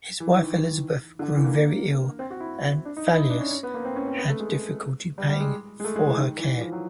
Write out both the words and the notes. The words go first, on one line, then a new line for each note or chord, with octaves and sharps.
His wife Elisabeth grew very ill and Foulois had difficulty paying for her care.
E3
E3
D#3
D3
D#3
E3
A#3
C4
F#4
E4
D4
D#4
E4
D#4
D4
C#4
C#4
B3
A#3
C4
C#4
C4
B3
A3
G#3
G3
G3
G#3
G#3
A3
G#3
E3
D#3
E3
F3
F#3